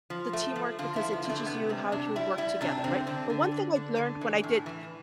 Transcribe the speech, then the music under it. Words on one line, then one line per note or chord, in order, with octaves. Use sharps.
the teamwork because it teaches you how to work together, right? But one thing I've learned when I did
F3
A3
F3
D3 F4
E4
F3
B3
D3 A3
C3 B3
G3 C4
C3 D4
G3 E4
G3 E4
C3 D4
D3 C4
D3 C4
D3
D3
D3
D3
E3
A2
E3